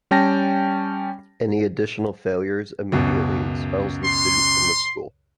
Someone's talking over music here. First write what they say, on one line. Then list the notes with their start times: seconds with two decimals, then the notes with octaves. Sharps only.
Any additional failures immediately expels the student from the school.
0.11 G3 C#4 G5 A5 A#6
2.92 C#2 F#2 B2
4.04 C6